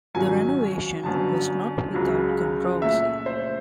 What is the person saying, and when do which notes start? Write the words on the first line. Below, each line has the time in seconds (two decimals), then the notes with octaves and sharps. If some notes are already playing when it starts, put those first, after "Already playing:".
The renovation was not without controversy.
0.14 G#1 F#2 D#3 F#3 G#5
1.03 G1 F#2 D3 A5
1.93 C#2 C#3 F#3
2.82 A#2 F3 A3 E5
3.26 C5